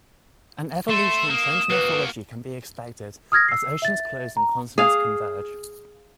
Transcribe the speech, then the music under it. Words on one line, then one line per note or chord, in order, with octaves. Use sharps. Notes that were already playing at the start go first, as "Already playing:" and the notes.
An evolution in trench morphology can be expected, as oceans close and continents converge.
A3 C6 E7
A#3 D#6
A#3 F#4 B4
D#6 F6 G#6 A#6
E6 C7
E5 A6
A#5
G#4 F5